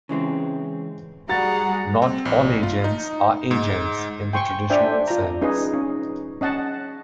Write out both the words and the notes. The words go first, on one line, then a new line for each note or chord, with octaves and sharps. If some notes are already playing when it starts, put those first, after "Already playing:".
Not all agents are agents in the traditional sense.
C#3 E3 G#3 C4
G3 F#4 G#4 F#5 A#5 A6
C4
A#1
F4
D#4
G#2
G5 G#5 C6 C#6
D4 C5 D5 E5 G5 G#5
F4 A#5
C#4 D#4 G#4 B4 D#5
C#4
C#4 D#5 F#5 A5